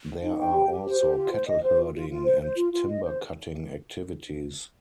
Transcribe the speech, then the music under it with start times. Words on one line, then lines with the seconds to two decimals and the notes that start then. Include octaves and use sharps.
There are also cattle-herding and timber-cutting activities.
0.23 D#4
0.39 G5
0.53 G4
0.69 G4
0.86 C5
1.01 G4
1.16 F4
1.32 C5
1.47 D#5
1.63 C5
1.78 F4
1.94 F4
2.09 F4
2.25 C5
2.41 C5
2.56 F4
2.72 F4
2.88 D#5
3.04 C5